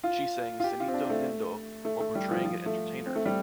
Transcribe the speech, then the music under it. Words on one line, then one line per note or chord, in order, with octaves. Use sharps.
She sang "Cielito Lindo" while portraying an entertainer.
F4
F4
G4
F4
C4
D4
A3
A3
A3
G3
F3
F3
A3
C4
A3
G3